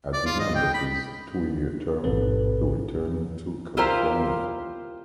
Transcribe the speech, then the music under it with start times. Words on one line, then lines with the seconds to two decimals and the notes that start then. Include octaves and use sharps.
At the end of his two-year term, he returned to California.
0.13 D5
0.26 F4
0.39 D#5
0.55 G5
0.74 B5
2.04 A1 G#2 B2 C4 A4 B4
3.77 E4 F4 G4 A#4 C5